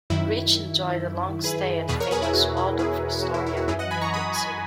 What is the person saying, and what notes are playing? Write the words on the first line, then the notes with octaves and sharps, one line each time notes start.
Rich enjoyed a long stay at the famous Waldorf-Astoria in New York City.
F#2 D#3 E4
G#4 B4
E2 B2 G#4 B4
A#4 C#5
G#4 B4
E4 G#4
F#4
E4
E4 G#4
F#4
E4
E4
F#4
F#2 E3 E4 G#4
D#5 F#5
G#5 B5
A#5 C#6
B5 D#6
G#5 B5